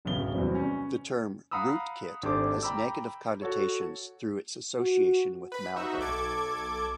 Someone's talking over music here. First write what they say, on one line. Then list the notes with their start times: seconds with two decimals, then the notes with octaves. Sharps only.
The term "rootkit" has negative connotations through its association with malware.
0.05 D1 F#2 C#3 B3 G7
0.34 E2 C3 F#3 G3 C4
0.55 C#4
1.51 F5 F#5 A#5 B5 D#6 E6
2.23 G#1 D4 G4 A4 C5 D6
2.63 G5 A#5 B5 D6 E6
3.42 F#4 A4 C#5
4.80 F#4
5.52 B4 B5
5.76 D#4 F#4 E5
5.98 B1 A4 D6 G#6